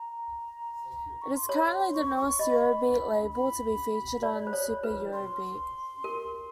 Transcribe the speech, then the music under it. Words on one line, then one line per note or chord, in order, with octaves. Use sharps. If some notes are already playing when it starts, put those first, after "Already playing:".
It is currently the newest Eurobeat label to be featured on Super Eurobeat.
Already playing: A#5
C#6
C6
C#5 B5
B5
C6
C#6
C#6
D#5 B5
B5
D5
C5
C#5
B4
C6
A#4